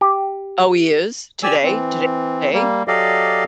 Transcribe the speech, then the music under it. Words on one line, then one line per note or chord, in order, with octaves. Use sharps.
Oh, he is? Today? Today today?
G4
G4 D5 G#5 E6
E3 C4
G3 A#3
F#3 G4 A4 D5 D#5 F5